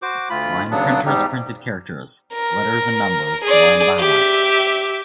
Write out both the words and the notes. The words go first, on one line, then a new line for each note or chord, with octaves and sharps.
Line printers printed characters, letters and numbers line by line.
F#4 C5 D6
D2 F4 B5
D#2 C#3 F#3 B3 D4
E2 G#2 G3 D#4 G4
A#4
G#4 D5
G4 E5